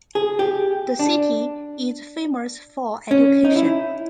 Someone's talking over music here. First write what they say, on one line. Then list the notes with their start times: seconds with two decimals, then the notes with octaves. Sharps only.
The city is famous for education.
0.15 G#4
0.39 G4
0.99 D4
3.11 C#4
3.45 D#4
3.56 E4